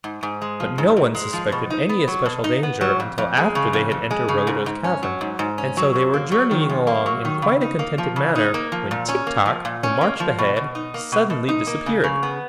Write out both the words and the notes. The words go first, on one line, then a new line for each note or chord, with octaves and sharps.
But no one suspected any especial danger until after they had entered Ruggedo's cavern, and so they were journeying along in quite a contented manner when Tik-Tok, who marched ahead, suddenly disappeared.
G#2
G#2
G#3
F3
G#2
G#2
G#3
F3
B2
D#4
B3
F#3
B2
D#4
B3
F#3
F2
F2
G#3
C#3
F2
F2
G#3
C#3
G#2
G#2
C#4
F#3
G#2
G#2
C#4
F#3
F#2
A#3
F#3
D#3
F#2
A#3
F#3
D#3
C#3
D#4
A#3
F3
C#3
D#4
A#3
F3
A#2
C#4
A#3
F3
A#2
C#4
A#3
F3
B2
B2
D#4
A#3
B2
B2
D#4
A#3
C#3
C#3
B3